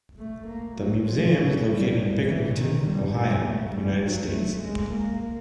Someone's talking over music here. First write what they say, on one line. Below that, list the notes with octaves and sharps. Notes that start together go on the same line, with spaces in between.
The museum is located in Pickerington, Ohio, United States.
A3
A#3
F#3
F3
F#3
G3
E3
D#3
G3
G#3
A3
G3
F#3
A3
G#3
A#3